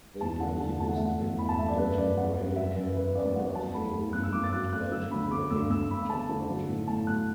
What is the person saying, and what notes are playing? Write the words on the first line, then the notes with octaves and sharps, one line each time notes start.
They are used in algebraic number theory and algebraic topology.
E2 A5
D3 F#5
E2 A5
A3 A5
F#5
E5
A3
F#5
E2
E2 B5
A5
A3 E5
D5
F#2 B4
F#2 D5
F#2 F#5
F#2
F#2 E5
F#2 B4
F#2 B4
F#2 D5
F#3 F#5
F#3 A5
A3 B5
A3
F#2 F#6
E6
F#2 D6
A6
F#3 F#6
A3 F#6
D3 E6
D2 B5
A3 D6
D2 E6
D2 E6
D2 B5
A3 A5
D3
F#3
A2
A2 A5
F#3 F#6